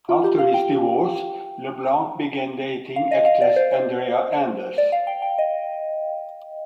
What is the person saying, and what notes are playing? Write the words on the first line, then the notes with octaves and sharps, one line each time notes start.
After his divorce, LeBlanc began dating actress Andrea Anders.
F4
G4
F5
G5
F5
D#5
F5
D5
C5
D5
F5
G5
G5
D#5